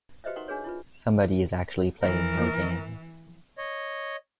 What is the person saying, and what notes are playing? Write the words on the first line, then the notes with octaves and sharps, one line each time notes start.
Somebody is actually playing your game.
F#4 G4 B4 C5 D#5 E5
D#4 F#4 A#4 F#5 C6 C#6
D4 F#4 G#4 B4 C#5
E4 F4 B4
E3 A#4
D#3 A#3 D5
C#5 D#5